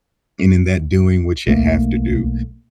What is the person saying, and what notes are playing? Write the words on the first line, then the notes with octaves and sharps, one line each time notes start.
And in that doing what you have to do,
B1 A3 A#3